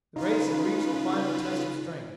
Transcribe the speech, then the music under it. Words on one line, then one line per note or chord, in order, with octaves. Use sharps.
The race had reached the final test of strength.
C#3 D#4 F4 B4